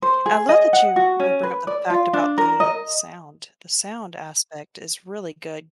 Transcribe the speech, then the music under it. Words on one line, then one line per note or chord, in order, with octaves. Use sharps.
I love that you you bring up the fact about the sound. The sound aspect is really good,
C5
G#4
D#5
F#5
F#4
C#4
B4
D5
F4
D4
A#4
D#5